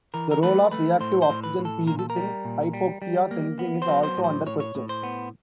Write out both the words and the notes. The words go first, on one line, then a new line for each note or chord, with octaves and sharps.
The role of reactive oxygen species in hypoxia sensing is also under question.
E3 A#4
A#4
A3 B4
A3 B4
A2 C5
C5
A2
B4
A2
A4
A#2 A#4
A4
A#4
G3
A#2
G3
G3
A#3
B3
C5
F#3
C5
A2
C5
A2 C#5
C#5
A2
C5
B3